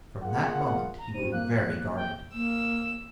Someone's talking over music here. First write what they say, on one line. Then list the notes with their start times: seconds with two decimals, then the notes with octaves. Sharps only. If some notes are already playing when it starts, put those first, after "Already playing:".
From that moment he grew very guarded.
0.22 A#3 F4 G#4 A#4 F5 F#5
0.99 A#5
1.14 G#2 G3 D#7
1.32 A#3 F#6
1.96 G5
2.33 A#3 E6